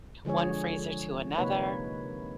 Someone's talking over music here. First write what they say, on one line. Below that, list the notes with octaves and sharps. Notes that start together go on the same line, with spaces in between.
one freezer to another?
D3 F3 G#3 G#4 C#5
C3 A#3 D#4 B4 C#5